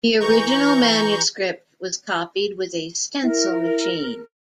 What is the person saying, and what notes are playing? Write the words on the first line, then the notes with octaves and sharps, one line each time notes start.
The original manuscript was copied with a stencil machine.
E3 A#5 C#6 G6
E4 A#4